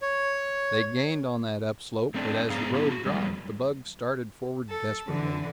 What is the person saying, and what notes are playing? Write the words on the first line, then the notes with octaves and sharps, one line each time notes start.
They gained on that upslope, but as the road dropped, the bug started forward desperately.
C#5
A3 C4 D4
G#2 D3 B3 G#4 F5 A#5
B3 D#4 E4 G4
F#4
E2 F3 G3 G#3
A4
D3 E3